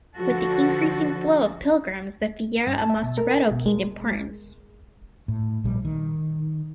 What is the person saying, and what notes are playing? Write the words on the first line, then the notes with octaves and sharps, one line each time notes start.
With the increasing flow of pilgrims, the fiera of Macereto gained importance.
D3 F3 F#4 A4
G2
A5
E5
B2
A#4
B2
G#3
A2
A#1 G3
D#3